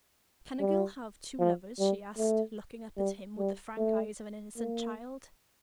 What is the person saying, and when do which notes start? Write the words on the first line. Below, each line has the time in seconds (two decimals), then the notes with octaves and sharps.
"Can a girl have two lovers?" she asked, looking up at him with the frank eyes of an innocent child.
0.59 G3
1.39 F3
1.79 G3
2.18 A3
2.97 G3
3.38 G3
3.77 A3
4.57 A#3